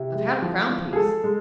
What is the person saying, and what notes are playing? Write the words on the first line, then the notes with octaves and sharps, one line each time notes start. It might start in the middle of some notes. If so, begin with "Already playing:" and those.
I've had a crown-piece.
Already playing: C3 E4
G#3
F3
F3
G#4
G#3 A4
G#3